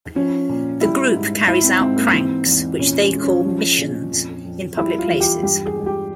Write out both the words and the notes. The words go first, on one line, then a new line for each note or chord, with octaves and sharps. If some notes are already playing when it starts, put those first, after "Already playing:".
The group carries out pranks, which they call "missions", in public places.
F3 C#4
A#2
G3 E4
G#2
G#2 E4
C4
G#2 C4
A#3
E3 C4
E2
A#2 C#4
C#4
G#3
C#4
F3
A#2
F2
F2
G3 E4
F4
E2
G4
G2 G4
G#4
G#3
G4